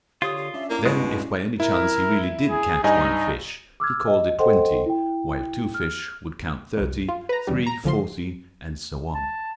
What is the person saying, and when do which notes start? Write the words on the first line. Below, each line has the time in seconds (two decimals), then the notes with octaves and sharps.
Then, if by any chance he really did catch one fish, he called it twenty, while two fish would count thirty, three forty, and so on.
0.22 D3 F4 G4 C#5 D#6
0.37 G4
0.54 C#4 D4 E5
0.70 A#3 E4
0.85 G2 B2 G#3
1.60 E4 A#4
2.50 G#4
2.84 G2 D#4 D#5 G#5
3.80 D6 E6 F6 G#6
4.07 D#5
4.39 A4 C5 D#5 F#5 G5 C6
4.86 E4 G5
5.74 F6
6.77 C2 F2
7.08 F4
7.29 B4 A#5
7.47 E2 C#3 G3
7.66 A#5
7.84 B1 D3 F3 C6
9.14 A5